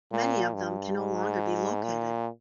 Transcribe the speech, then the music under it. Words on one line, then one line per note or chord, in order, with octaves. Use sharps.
Many of them can no longer be located.
A#2
G2
G#2
A#2